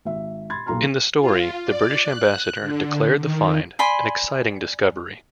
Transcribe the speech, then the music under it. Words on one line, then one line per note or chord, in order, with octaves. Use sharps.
In the story, the British Ambassador declared the find "an exciting discovery".
G#1 E5
B5 C6 G#6 A6
B1 A#2 A#5 C6 F6
F4
D5
F#6
D3
D#3
D5 G#5 B5 C6